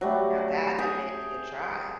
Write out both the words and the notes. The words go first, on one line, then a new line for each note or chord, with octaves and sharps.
Now that I may need to try.
F#3 G3 A3
G#4 G5